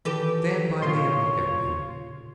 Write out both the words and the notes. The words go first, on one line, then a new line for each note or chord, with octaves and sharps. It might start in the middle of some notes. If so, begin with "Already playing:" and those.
Stand by me and look at me.
D#3 E3 G4 A4 B4
A#2 C#3 F4 C#5 C6